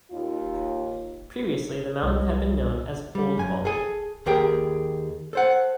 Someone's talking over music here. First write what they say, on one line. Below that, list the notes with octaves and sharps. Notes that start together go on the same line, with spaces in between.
Previously the mountain had been known as Old Baldy.
D#2 F4
C2 G3
G3
F#2 G#5
G#4 A4 G#5
D#2 G4 G#4 A#4 G5
A4 C5 F#5